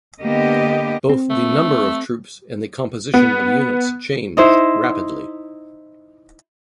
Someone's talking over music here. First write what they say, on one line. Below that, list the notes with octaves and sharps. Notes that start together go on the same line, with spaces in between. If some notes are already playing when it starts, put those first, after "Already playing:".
Both the number of troops and the composition of units changed rapidly.
D3 A#3 B3 G4 D#5
C4
A3
B3
D#4 E4 C5